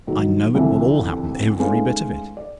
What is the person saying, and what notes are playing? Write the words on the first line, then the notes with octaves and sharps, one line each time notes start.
I know it will all happen- -every bit of it.
B1 D#3 F#3
C2 F2 D3 E3
G#3 A3 B3 C#4 D#4 F4
D5